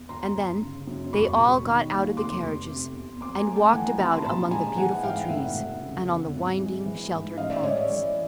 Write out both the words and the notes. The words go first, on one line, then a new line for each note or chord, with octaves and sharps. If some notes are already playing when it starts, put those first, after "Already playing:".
And then they all got out of the carriages, and walked about among the beautiful trees, and on the winding, sheltered paths.
Already playing: E2
G1 A#5 C6
G1
C#3
F#2
E1 B5 C#6
E1
D#3
D#2
F1 C6 D6
F1
C3
E2
F2 C6 D6
G#5 A#5
A3
G5 A5
E3 F#5 G#5
G#5 A#5
C3 A5 B5
A#5 C6
A#1 A5 B5
G#3 G#5 A#5
E3 F#5 G#5
G#2 F5 G5
F1 E5 F#5
F1
C#3
E2
G#1
G#3
E3
G#2
A1 D#5 F5
D5 E5
G#3 C#5 D#5
D5 E5
E3